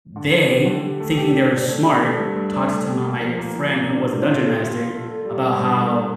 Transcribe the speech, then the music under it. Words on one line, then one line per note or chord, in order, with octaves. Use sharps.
they, thinking they were smart, talks to my friend who was a Dungeon Master about how,
D3
D3
G4
D3
G4
A3
G4
D4
D4
A3
D4
A3
G2
G2
D4
A3
G4
A#3
F3
A#3
F3
A#3
D4
D4
F4
A4
F4
F4
F4
A4
G3
G3
G2
A3